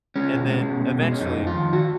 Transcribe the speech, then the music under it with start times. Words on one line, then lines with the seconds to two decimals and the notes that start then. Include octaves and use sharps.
and then, eventually,
0.16 G#3 C#4
0.33 B2
0.50 G#3
0.68 B2
0.86 B2
1.02 G#3
1.12 C#4
1.21 F2 D#4
1.37 F2
1.47 F4
1.54 D#3
1.73 D#3 F#4